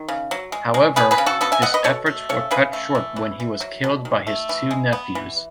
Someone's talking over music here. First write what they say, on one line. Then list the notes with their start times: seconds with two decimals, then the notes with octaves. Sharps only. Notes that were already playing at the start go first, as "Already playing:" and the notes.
However, his efforts were cut short when he was killed by his two nephews.
Already playing: D#3
0.08 C#3
0.31 F#3
0.52 G#3
0.74 G#3
0.96 B3 G#4 B4
1.11 G#4 B4
1.18 C#3
1.26 F#4 A4
1.41 B3 F#4 A4
1.52 E5 G#5
1.62 B3 D#5 F#5
1.74 B4 D#5
1.84 B2 A4 C#5
2.06 A3
2.29 C#3 A4 C#5
2.51 C#3 G#4 B4
2.73 A3
2.95 E3
3.16 E3
3.40 E3
3.60 F#3
3.84 B2
4.05 D#3
4.27 A3
4.49 E3
4.71 G#3
4.93 B3
5.15 E3